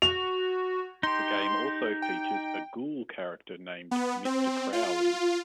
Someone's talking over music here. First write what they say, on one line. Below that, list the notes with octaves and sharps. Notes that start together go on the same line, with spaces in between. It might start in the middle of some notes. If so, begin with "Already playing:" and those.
The game also features a ghoul character named "Mister Crowley".
F#4 F7
D#4 G4 C6
G5
B3
C4
F4